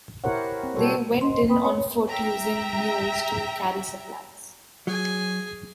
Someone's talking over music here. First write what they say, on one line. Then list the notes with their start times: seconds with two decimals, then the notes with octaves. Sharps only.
They went in on foot using mules to carry supplies.
0.24 E4 G4 A#4 C5 C#5 F#5
0.63 C4
0.75 B2 G3 F#4 A4 C5 C#5
1.21 C5 D#5 C6
1.48 C4 B4 G5 B5 D#6
1.65 C#5
2.08 E5 G5 A#5
4.87 F#3 G#4 G#5